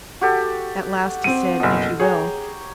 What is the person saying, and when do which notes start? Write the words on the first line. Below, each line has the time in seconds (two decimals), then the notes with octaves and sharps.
At last he said, "If you will."
0.21 F#4 G4 A4
1.24 C4 D#7
1.60 F#1 B2
2.00 G#4 C#5 G5 A#5